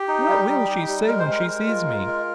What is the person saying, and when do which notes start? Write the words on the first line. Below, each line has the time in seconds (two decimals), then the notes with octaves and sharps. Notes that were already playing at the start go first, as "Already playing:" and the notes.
What will she say when she sees me?
Already playing: G4
0.08 D#4
0.29 G3
0.48 G3
0.68 D#4
0.88 G3
1.07 G#3 A#4
1.19 C5
1.27 G#3 A#4
1.47 G#3
1.67 F4
1.87 F4
2.07 G#3